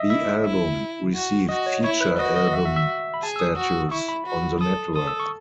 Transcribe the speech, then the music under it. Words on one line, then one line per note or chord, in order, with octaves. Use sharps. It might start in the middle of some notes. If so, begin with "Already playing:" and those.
The album received feature album status on the network.
Already playing: D#5 E5
E4 E5
E4
F#4
F#4 D#5
C#5
E4 C#5
B4
F#4 D#5
D#5
D#5
E5
E5
E5
B5
G#4 A5
E6
D#6
F#4
E4 C#6
B5
F#4
A4 D#6
A4 D#6
E6
C#6